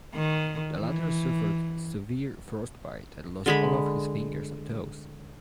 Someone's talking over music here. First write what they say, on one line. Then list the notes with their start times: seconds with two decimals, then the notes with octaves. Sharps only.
The latter suffered severe frostbite and lost all of his fingers and toes.
0.15 D#3
0.77 E3
3.46 D3 G#3 B5